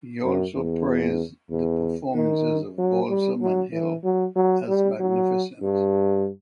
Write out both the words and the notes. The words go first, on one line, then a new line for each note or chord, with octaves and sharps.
He also praised the performances of Balsam and Hill as "magnificent".
F#2
E2
E2
D#3
F#3
G3
F#3
E3
F#3
F#3
G3
F#3
G2